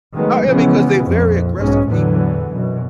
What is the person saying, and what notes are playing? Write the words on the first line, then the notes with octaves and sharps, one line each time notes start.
however because they're very aggressive people.
D#3 F#3 G#3 A3 B3
C#3 E3 F3 G#3 B3 C#4
A#1 F2
B1 G#2 G#3 C#4
E2 A2 D3 E3 F#3 B3
F#2 B2